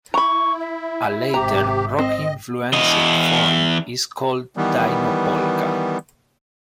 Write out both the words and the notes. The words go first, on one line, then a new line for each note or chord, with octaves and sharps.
A later, rock-influenced form is called "dyno" polka.
E4 A#5 B5 C#6
E5
G#1 C3 G4 A#5
C4 D#5
E2 D#5
D#3 E3 G3 B3